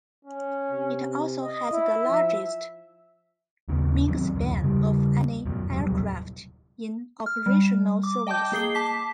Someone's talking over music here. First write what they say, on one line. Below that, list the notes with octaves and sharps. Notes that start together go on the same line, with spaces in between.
It also has the largest wingspan of any aircraft in operational service.
C#4
C3
D#5
E4 E5
F3
D#2 C#3 B3 C#4
D#3 F#3 B3 C4
D1 F#2 C3
C#3 G3
F#2 B2
D#1 B2 F#3 G3
F6
G3
D6
D#5 G5 A5 D6 G6
A#3 G#4 C7 G7
A5 D6 B6